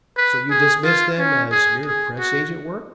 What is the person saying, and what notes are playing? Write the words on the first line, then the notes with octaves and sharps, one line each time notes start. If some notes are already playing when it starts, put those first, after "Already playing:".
"So you dismissed them as mere press agent work?"
B4
G#4
F4
C#4
G#4
G#4
F#4